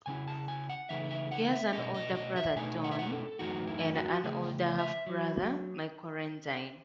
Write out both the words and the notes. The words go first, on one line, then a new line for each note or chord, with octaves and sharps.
He has an older brother, Don, and an older half-brother, Michael Rendine.
C#3 G#3 C#4 E4 G#5
A5
G#5
F#5
C#3 E3 A3 D#4 E5
E5
F#5
E5
B2 A3 C#4 D#5
D#5
D#5
E5
B2 A3 D#4 G#5
F#5
E5
F#5
A4
F#2 E3 A3 D#4 F#4
E4
F#4
C#3 E3 A3 G#4
E5
F#3